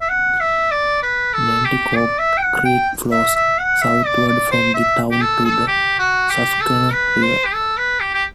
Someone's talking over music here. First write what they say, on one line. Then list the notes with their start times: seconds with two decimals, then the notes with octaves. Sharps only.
Nanticoke Creek flows southward from the town to the Susquehanna River.
0.01 E5
0.09 F#5
0.41 E5
0.71 D5
1.03 B4
1.34 A4
1.65 G4
1.96 D5
2.19 E5
2.37 G5
2.42 F#5
2.65 G5
3.12 E5
3.36 E5
3.59 F#5
3.82 E5
4.06 D5
4.28 D5
4.52 C5
4.74 E5
5.11 G4
5.21 A4
5.45 A4
5.68 G4
5.99 F#4
6.30 G4
6.61 A4
6.93 B4
7.23 C5
7.45 G4
7.54 A4
7.77 B4
8.00 G4
8.15 G4